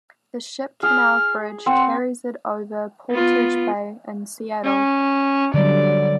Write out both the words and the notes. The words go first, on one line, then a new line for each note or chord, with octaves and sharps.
The Ship Canal Bridge carries it over Portage Bay in Seattle.
G#4 F6
C4 F#5
B3 F4
C#4
D3 F#3 G3 D5